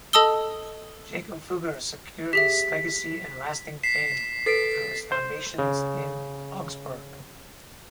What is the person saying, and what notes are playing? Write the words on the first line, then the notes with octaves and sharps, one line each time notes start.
Jakob Fugger secured his legacy and lasting fame through his foundations in Augsburg.
A4 D#5 A5 D#6 E6 G7
G4 G#4 E5 B6
B6 C7 E7
A4 B4 A6 B6 C7 D7
C5
C#3